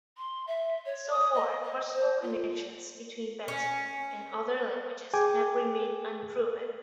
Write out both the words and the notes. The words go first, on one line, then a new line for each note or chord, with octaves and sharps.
So far, possible connections between Basque and other languages have remained unproven.
C6
E5
C#5
D#6
D#5
D#5
C5
F4
C#4
G#4 G5 G#5 D6